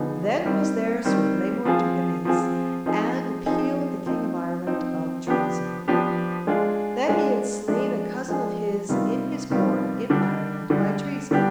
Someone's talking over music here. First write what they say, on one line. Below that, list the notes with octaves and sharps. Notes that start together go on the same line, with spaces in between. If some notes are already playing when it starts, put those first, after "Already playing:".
Then was there Sir Blamore de Ganis, and appealed the King of Ireland of treason, that he had slain a cousin of his in his court in Ireland by treason.
Already playing: D3 F3 B3 D#4 G#4
D#3 G3 C4
D#3 G3 C4
F3 C4 F4 G#4
F3 C4 F4 G#4
F3 C4 D#4 G#4
F3 C4 D#4 G#4
F3 C4 D#4
F3 C4 D#4
F3 B3 D4 G4
F3 B3 D4 G4
G#3 D4 F4 G#4
G#3 D4 F4 G#4
F3 G#3 D4 G#4
F3 G#3 D4 G#4
C3 D#3 G3 B3 F4
C3 D#3 G3 B3 F4
D3 G3 D4
D3 G3 D4
D3 G3 B3 D4 G4